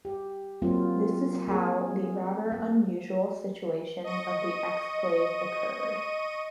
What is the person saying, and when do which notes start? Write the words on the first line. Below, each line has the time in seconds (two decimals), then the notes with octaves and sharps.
This is how the rather unusual situation of the exclave occurred.
0.05 G4
0.62 F#3 A#3 C4 F4
1.48 A#3 G#4
2.52 A#3
4.04 D#5 C#6 D#7